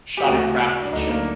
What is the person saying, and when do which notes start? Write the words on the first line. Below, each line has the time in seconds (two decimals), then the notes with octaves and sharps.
shoddy craftsmanship.
0.17 G4
0.23 D2 C#3 E3 A3 D4 F#4
0.81 D4
0.92 D2 D3 F#3 A3 D4 D#4
1.09 A#3